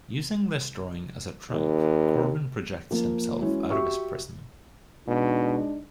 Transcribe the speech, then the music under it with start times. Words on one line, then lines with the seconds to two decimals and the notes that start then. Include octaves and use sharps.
Using this drawing as a Trump, Corwin projects himself out of his prison.
1.50 D#2
2.91 F3 A#3
3.41 E3 G#3 C#4 E4 F#4
3.70 F#4 G4 E5 C#6
5.07 B2 G#3 D4 D#4